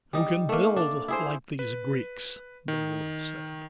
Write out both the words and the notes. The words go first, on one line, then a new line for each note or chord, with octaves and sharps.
'Who can build like these Greeks?' they will have said.
G3 D#4
A3 A#3
D4
E4 G#4 C5
B4
D#3